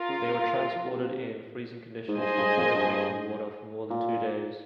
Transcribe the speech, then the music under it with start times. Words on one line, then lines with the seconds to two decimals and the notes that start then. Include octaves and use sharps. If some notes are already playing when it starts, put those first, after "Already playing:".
They were transported in freezing conditions with no drinking-water for more than two days.
Already playing: F4 A#4 F5
0.09 C#3
0.28 C3
0.46 A#2
0.60 A#2
0.75 F3
0.90 C3
2.08 G#2
2.18 G2 G#4 C5 D#5 G#5
2.37 G2
2.57 F2
2.75 G2
3.90 A#2